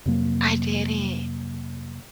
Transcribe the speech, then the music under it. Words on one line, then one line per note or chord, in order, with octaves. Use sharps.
I didn't.
F2 C3 F#3 A#3